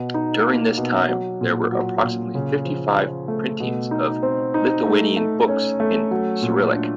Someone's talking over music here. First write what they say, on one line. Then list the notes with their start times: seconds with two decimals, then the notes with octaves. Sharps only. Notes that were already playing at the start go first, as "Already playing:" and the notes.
During this time, there were approximately fifty-five printings of Lithuanian books in Cyrillic.
Already playing: B2
0.14 D#4
0.46 A#3
0.78 B2
1.09 F#3
1.41 A#2
1.72 F#3
2.03 A#2
2.35 C#3
2.65 F3
2.98 F3
3.28 A3
3.60 B2
3.91 D#4
4.23 C4
4.54 D#4
4.86 A3
5.17 A3
5.48 C#4
5.80 A3
6.11 F#3
6.42 A#2
6.74 D4